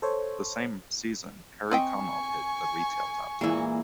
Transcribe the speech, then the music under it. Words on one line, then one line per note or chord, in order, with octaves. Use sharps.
The same season, Perry Como hit the retail top ten.
A4 C5 C#5
C4 D#5 G5 G#5 C#6
A#2 E3 G#3 E4